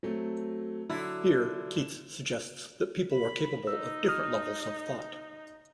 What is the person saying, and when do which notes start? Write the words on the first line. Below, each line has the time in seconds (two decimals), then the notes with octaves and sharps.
Here Keats suggests that people were capable of different levels of thought.
0.03 F#3 A3 C4
0.90 D3 F#3 E4
1.76 E7
3.13 B5
3.67 D#4 E6
4.09 D#6 F6